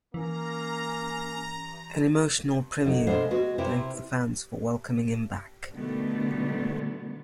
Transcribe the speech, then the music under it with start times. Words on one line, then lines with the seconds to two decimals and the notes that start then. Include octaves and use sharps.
An emotional Primeau thanked the fans for welcoming him back.
0.14 E3 A#3 C#4 A#5
2.84 D3 F#3 D#4
3.07 G#3 B3 D4 A4 C5 F5
3.31 G#3 B3 F#4 B4
3.58 C3 C4 E4 G4 A#4 B4
5.73 B2 D3 D#3 G3 A3 B3